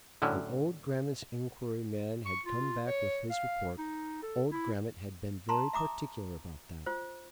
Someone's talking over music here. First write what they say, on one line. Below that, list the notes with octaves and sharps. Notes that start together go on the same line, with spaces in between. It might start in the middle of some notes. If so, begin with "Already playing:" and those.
When old Grammont's enquiry man had come back with his report, old Grammont had been very particular about that.
A2 D3 F#3 C#4 E4
C#6
F4
C#5
F5
D#4
A4
E4
A5 A#5 C6
E5 A#5 D6 D#6
F4 C5